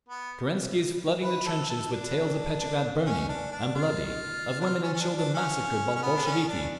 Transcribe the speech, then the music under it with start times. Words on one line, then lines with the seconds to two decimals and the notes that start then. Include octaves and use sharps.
Kerensky is flooding the trenches with tales of Petrograd burning and bloody, of women and children massacred by the Bolsheviki.
0.09 B3
1.23 B4
1.46 A4
1.69 A4
1.92 D4
2.60 D4
3.06 C#4
3.28 D4
3.51 D4
3.75 F4
4.61 D4
4.66 F4
4.83 C#4
4.94 C#4
5.00 D4
5.17 D4
5.34 C#4
5.95 C#4
6.02 B3
6.16 D4
6.25 C#4
6.48 D4